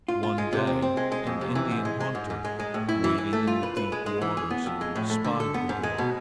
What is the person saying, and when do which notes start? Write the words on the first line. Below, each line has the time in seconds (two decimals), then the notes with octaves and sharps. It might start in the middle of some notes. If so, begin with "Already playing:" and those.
One day an Indian hunter, wading in the deep waters, spied the boy.
0.08 F4
0.23 F4
0.38 G#3
0.53 C3
0.67 C4
0.82 C4
0.97 G#3
1.12 G#3
1.27 F2
1.41 C3
1.55 E3
1.71 G#2
1.85 G#3
2.00 G#3
2.15 G#2
2.30 G#2
2.45 G#3
2.59 G#3
2.74 A2
2.89 E4
3.04 E3
3.18 E3
3.33 A3
3.47 F4
3.63 B4
3.77 B4
3.92 G#3
4.06 G#3
4.22 E3
4.37 G#4
4.51 B3
4.66 F2
4.81 G#3
4.96 A2
5.10 A3
5.24 D3
5.40 A4
5.54 B3
5.69 G#2
5.83 G#3
5.98 B2